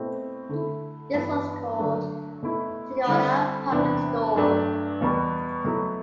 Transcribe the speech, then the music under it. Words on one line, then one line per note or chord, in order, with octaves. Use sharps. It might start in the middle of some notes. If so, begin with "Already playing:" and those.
This was called "Toyota Public Store".
Already playing: B2 A3 C4 E4
D3 A3 E4
G2 E3 B3
D3 F#3 A3 D4
B2 A3 E4
D3 G3 C4 E4
E2 C3 E3 B3 D4
G2 F#3 A3 D4
E2 B2 G3 B3
B2 F#3 A3 E4